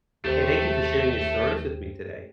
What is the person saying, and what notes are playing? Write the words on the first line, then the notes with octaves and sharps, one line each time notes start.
Hey, thank you for sharing your stories with me today.
D#2 A3 C4 G4 A4 C5